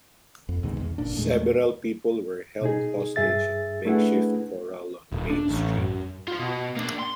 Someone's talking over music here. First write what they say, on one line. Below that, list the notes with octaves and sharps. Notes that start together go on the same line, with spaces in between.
Several people were held hostage in a makeshift corral on Main street.
F2
C2 B2 D#3 G#3
E2
G1 A#2 D4
E2 A#2 G#3 A3
B2 D#4 G#4
G2 G#4 E5 A6
A3 D4 E4 G#4 B4 F#5
D#1
D4
A1
F#2
F4 C5
B2
A#3 D4
C6